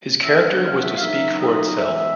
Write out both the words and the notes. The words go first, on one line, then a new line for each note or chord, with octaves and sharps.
His character was to speak for itself.
B2 G#3 B3 D4 E5
F5
F#5
F5
E5
F5
D#3 F#3 B3 D#4 E5
E5
D#5
C3 E3 G#3 B3 E5